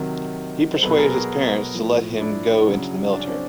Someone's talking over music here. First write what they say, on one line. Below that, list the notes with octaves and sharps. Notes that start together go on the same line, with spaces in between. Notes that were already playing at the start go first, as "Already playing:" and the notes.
He persuaded his parents to let him go into the military.
Already playing: C3 D#3 F#3
C5
B2 F#3 A4 B4
G#4 A#4
F#4 G#4
A2 F3
D4 E4
C#3 F#3
D4
C#4
C4 D4